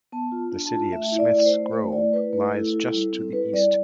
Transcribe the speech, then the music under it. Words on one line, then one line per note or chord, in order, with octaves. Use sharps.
The city of Smiths Grove lies just to the east.
B3 A5
F4
D4
A5
F4
A3 E5
E4
D5
A3
C5
A3
A3 C5
E4 D5
E4 B4
A3 B4
E4 A4
E4
G3
C4
E4 B4
G3 D5